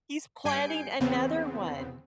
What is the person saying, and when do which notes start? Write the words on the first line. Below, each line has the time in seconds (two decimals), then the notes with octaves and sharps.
he's planning another one!
0.45 G2 G#5 G6 C7 D7
1.00 E2 C#3 B3 C4